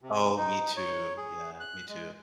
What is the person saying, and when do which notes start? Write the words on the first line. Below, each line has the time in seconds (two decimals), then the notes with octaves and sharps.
Oh, me too. Yeah, me too.
0.02 C3
0.37 D#4
0.77 C#5
1.17 G#4
1.60 F#6
1.89 G#3